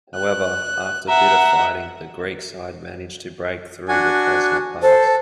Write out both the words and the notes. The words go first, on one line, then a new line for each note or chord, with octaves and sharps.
However, after bitter fighting the Greek side managed to break through the Kresna pass.
F#6
E5 F#5 A#5
D4 F#4 G#5
A4 C5